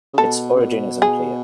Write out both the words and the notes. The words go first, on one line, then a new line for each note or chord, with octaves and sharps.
Its origin is unclear.
C#3
B2 A4
C#3
B2
G#4